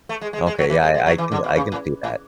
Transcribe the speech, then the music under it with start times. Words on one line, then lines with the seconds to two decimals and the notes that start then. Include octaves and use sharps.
okay, yeah, I I can I can see that.
0.09 A3
0.21 G#3
0.33 G#3
0.46 G#3
0.59 F#3
0.70 E3
0.83 G#3
0.94 G#3
1.06 F#3
1.18 E3
1.32 D3
1.44 B2
1.56 C#3
1.72 A2
2.04 A2